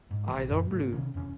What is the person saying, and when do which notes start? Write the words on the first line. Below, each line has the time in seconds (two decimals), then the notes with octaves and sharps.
Eyes are blue.
0.11 G#2
0.28 A#1 E3
0.49 F#2 A#2
0.71 C2 G#2 A3
0.93 C3 D#3 C#4
1.14 F1 E2 A#2 C#4